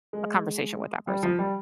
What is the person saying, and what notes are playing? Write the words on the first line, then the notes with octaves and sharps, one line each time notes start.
a conversation with that person.
G#3
G3
F3
G3